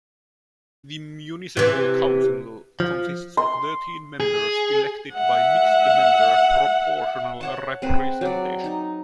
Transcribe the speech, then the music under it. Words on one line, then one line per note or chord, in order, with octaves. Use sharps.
The municipal council consists of thirteen members elected by mixed-member proportional representation.
C3 E3
F3
C6
G#4
E5 F#5
C#5 F#5 A5
C4 G#4 B4
F#3 D5
D#4